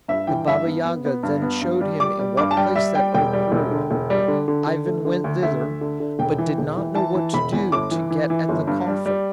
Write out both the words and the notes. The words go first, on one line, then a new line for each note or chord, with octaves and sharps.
The Baba-Yaga then showed him in what place that oak grew: Ivan went thither, but did not know what to do to get at the coffer.
G2 E5
E3 G5
G2 E5
B3
B3
B3
G2
B3
G2
G3
G3 D6
G3
G2 D6
A5
G3 G5
G3 E5
G3 G5
E1 G5
G3
E1
D3
E1
G3
D3
D3
D3
A3
D3
D2
D2 E5
D2
D3
D3
E1 G5
E3
E1
E3
E3 A5
E3
E1 B5
E2
G1 D6
E3
E3
E3
G1
G2
G3
G3